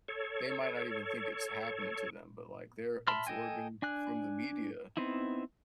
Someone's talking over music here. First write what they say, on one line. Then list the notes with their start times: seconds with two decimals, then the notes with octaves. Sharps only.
they might not even think it's happening to them, but, like, they're absorbing from the media.
0.08 A4 C#5
3.07 E5 A5 B5 C6 F6
3.27 A4 D#5 G5 G#5
3.82 D4 G#5 F#6
4.97 B3 C4 D#4 E4